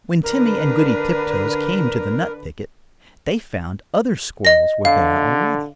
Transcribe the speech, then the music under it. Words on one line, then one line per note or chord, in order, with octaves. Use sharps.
When Timmy and Goody Tiptoes came to the nut thicket, they found other squirrels were there already.
D3 D4 A#4 B4
D#5 A#6
D3 F5